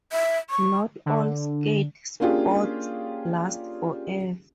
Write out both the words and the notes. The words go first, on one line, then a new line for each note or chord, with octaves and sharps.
Not all skate spots last forever.
E5
C#6
D3
A#3 C#4 D4 F4 G4 G#4